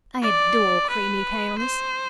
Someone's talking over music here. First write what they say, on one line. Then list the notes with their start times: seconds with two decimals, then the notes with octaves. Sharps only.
I adore creamy paleness.
0.22 D5
0.90 B4
1.59 C5